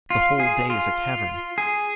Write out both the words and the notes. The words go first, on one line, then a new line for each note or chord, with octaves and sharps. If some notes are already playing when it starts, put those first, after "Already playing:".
The whole day is a cavern.
F4
G#4
F4
G#4